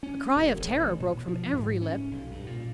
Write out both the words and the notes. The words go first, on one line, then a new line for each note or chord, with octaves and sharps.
A cry of terror broke from every lip.
C#4
E1
A1
B2
F3
G#2
C#4
B1
G2
A#2